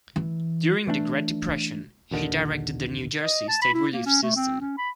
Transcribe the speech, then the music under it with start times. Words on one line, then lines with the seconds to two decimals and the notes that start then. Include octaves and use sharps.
During the Great Depression, he directed the New Jersey state relief system.
0.16 E3
0.87 E3 A3 C4 D4
2.11 A#1 D#2 D3 D#3
3.22 D#5
3.48 A5
3.62 B5
3.74 E4
3.93 A#3
4.06 C#4
4.23 A3
4.36 C4
4.60 C#4
4.78 B5